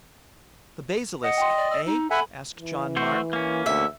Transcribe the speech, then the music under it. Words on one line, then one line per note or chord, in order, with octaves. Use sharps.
"The basilisk, eh?" asked John Mark.
D#5 F#5
G5 C6
D5
D5 E6
D#4
A4 E5 F#5 G#5 B5
E3
A3 F#4 C5
A#3 C#4
D2 E5